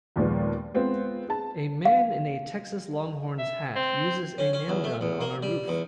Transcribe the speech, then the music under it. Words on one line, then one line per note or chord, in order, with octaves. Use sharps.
A man in a Texas Longhorns hat, uses a nail gun on a roof.
D#2 A#2 F3 G#3 B3
G#3 B3 C4 F4
G#4 A5
F5
E5
C4
C#4
C#4
E2
A3
E2
A#3
G3
E2